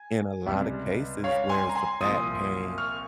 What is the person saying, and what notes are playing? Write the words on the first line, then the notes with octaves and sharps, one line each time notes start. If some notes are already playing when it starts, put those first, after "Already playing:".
in a lot of cases where it's the back pain
Already playing: G#5
C#2 C3 G3
C#5 F5
G#5 C6
A#5
G#5 C6
C2 A#2 F3 C6 D#6
C#6 F6